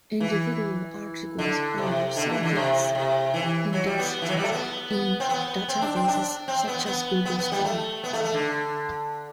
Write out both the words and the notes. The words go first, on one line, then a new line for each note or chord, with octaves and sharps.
Individual articles are subject-indexed in databases such as Google Scholar.
E3
D3
C3
D3
E3
D3
C3
C3
E3
F#3
G3
B3
E3
F#3
G3
A3
B3
B3
C4
B3
C4
D4
C4
D4
C4
B3
B3
B3
B3
G3
A3
B3
A3
A3
D3